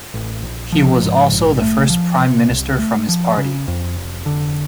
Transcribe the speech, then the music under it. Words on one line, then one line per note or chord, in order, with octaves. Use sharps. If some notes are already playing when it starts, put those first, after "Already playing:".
He was also the first prime minister from his party.
A1
A#1
F3
G#2
A#1
A3
F3
C3
C2
A3
F3
C#3
F2
F1
D3